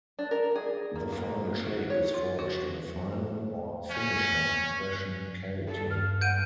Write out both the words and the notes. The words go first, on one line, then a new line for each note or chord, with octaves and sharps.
The final shape is forged in a "final" or "finisher" impression cavity.
D4
A#4
G#4
A#3
A#3
F#4
C#5
F4
F#4
C#4
G2 A4
F6
F#5 G6 D7 D#7